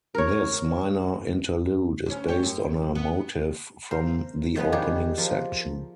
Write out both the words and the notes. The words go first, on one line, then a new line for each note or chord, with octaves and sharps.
This minor interlude is based on a motive from the opening section.
A#4 C#5
D2 C#4
G4 C#5
F#2
B3
A#4 C5 F5
D#3 F3 B3 B4
D#3 F#3 G3 G4 G#4
F3 A#4